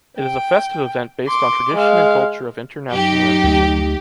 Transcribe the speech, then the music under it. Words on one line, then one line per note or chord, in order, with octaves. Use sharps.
It is a festive event based on tradition and culture of international ambition.
G5
C6 D6
G#3 F5
F#2 D#4 G4
D2 A3